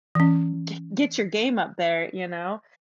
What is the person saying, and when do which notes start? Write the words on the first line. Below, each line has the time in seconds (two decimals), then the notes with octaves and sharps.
gre get your game up there, you know,"
0.15 E3 C#4